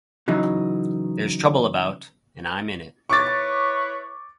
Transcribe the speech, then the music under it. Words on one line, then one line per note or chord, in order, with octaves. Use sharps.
There’s trouble about and I’m in it.
C#3 E3 F#3 D#4
E4 B4 C#5 C#6 D6 A6